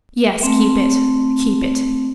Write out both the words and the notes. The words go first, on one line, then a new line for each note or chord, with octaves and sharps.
"Yes, keep it--keep it."
A3 C4